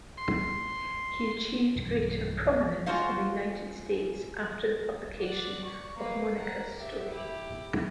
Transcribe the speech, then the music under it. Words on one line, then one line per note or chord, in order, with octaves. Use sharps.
He achieved greater prominence in the United States after the publication of "Monica's Story".
C6
B1 G2 B2 E3
G#3 C4 F4 F#4 C5 F5
D5 F#5
C#6
A#3 B4
A#4 F#5
G4 E5
E4 G4